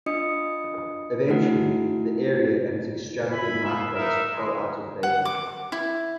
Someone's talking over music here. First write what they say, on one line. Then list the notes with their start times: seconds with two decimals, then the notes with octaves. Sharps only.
Eventually, the area and its extravagant nightclubs fell out of favor.
0.06 D4 F4 D#5 D#6 C#7
1.29 A3 D#4 E4 F#4 G#4 F#5
3.30 E5 G#5 B5
3.65 B3 F4 E5
3.94 D#4 A#4 E5
4.33 G#3
5.03 F#5
5.25 D6
5.72 E4